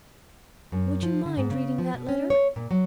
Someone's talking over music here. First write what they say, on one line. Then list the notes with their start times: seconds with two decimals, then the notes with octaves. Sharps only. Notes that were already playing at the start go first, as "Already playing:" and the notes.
Would you mind reading that letter?
0.72 F#2
1.03 F3
1.26 D3
1.37 G#2
1.50 C#3
1.78 F3
1.94 B2
2.09 C#4
2.30 C#5
2.56 A#2
2.71 F#3